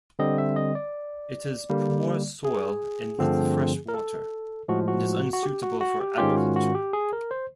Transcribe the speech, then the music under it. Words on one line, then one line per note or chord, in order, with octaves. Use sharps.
It has poor soil and little fresh water, and is unsuitable for agriculture.
D3 G3 C4 D#5
E5
D#5
D5
D3 G3 A#3
G#4
G2 D3 F3 A3 C4
A#4
A4
A2 F3 G#3 F#4
F#4
F#4
G4
F#4
F#4
G4
G#2 D#3 G#3 C#4 F4 G4
F#4
F#4
G4
G#4
A#4
C5